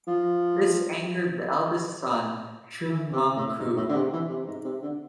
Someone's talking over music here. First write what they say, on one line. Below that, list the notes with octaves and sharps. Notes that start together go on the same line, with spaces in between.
This angered the eldest son Chung Mong-koo.
F3
E3
C3
A2
G#2
A2
D3
C3
E3
C3
G#2
C3
D3